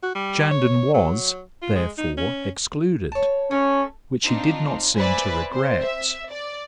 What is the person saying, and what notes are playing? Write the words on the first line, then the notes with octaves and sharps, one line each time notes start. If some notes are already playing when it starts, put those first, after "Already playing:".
Shandon was, therefore, excluded, which he did not seem to regret.
F#4
G3
C#5
F#3
F4
G#3
D#4
C#4
C#5 A5
A3 C#4
C4 D4 D#4 F4
B4 C5 D5 E5 G#5 B5
C4 C5
E5
D5